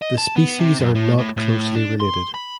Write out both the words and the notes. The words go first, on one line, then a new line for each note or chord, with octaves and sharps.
The species are not closely related.
D#5
A5
B3
C3
F#2
A2
A2
A2
D4
C6
B5